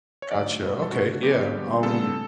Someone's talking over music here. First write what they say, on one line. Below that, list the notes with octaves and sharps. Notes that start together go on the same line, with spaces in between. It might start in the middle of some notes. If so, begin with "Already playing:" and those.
Gotcha, okay, yeah, um,
C#5
D3 F#3 A3 D5
B2 G3 B3
A4
D3 A3 F#4
D3 F#3 B3 G4
D3 G3 B3
C#3 G3 B3 A4